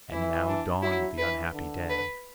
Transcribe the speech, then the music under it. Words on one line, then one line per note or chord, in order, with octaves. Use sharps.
And now dawned the unhappy day.
E3 E4
D4
F#3 E4
E3 B4
D3
B4